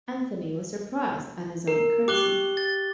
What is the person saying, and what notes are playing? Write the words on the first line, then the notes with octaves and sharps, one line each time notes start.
Anthony was surprised at his own courtesy.
A#4
G4 D6 F#6 G7
A6